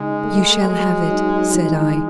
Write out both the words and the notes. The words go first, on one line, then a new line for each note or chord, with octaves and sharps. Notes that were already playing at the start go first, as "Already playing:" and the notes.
"You shall have it," said I.
Already playing: C#3 G#3 D#4
A3
F#3 G#3
D#4
E3 G#3